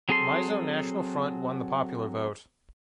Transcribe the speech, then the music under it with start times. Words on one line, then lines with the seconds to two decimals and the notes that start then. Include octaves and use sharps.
Mizo National Front won the popular vote.
0.09 F#3 C4 G#4 A4 C6